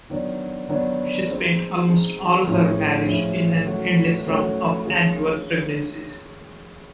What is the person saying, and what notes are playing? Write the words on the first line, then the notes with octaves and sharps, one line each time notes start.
She spent almost all her marriage in an endless round of annual pregnancies.
D#3 F#3 B3 D4
D#3 F#3 B3 D4
G#3 C4 D#4
G#3 C4 D#4
A2 F3 G#3 C#4 E4
A2 F3 G#3 C#4 E4
D#3 F#3 A3 C#4 F#4
D#3 F#3 A3 C#4 F#4
D#3 G#3 C#4 F4 G#4